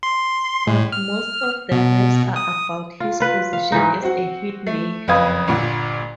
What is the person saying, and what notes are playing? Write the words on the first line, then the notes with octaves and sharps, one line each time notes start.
But most of the raps are about his position as a hit-maker.
C6
A2
F6
B2
D#6
F4
F4 B4
F5
G#2 E3 D#4
C4 F#4
A3
F#1 F2 B4 F5 D#6 G#6
G1 A#2 D3